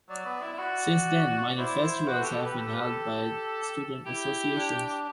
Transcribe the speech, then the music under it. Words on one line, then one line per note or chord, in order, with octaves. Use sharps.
Since then minor festivals have been held by student associations.
F#3 D5
B3
E4
E4
F#4
E4 C5
E4
F#4 B4
A4
G4
A4
G4 B4
A4
B4
A4
E4 G4
D4